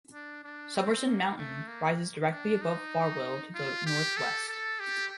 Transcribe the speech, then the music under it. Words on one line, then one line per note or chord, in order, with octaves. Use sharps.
Summerson Mountain rises directly above Farwell to the northwest.
D4
D4
C4
A#3
A3
A#3
D4
D#4
F4
G4
A4
A4
G4